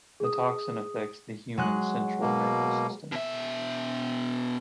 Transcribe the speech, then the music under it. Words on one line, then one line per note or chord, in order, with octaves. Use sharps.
The toxin affects the human central nervous system.
G#4 D#6
F#3 G#3 F#6
B2 A#3
B2 E5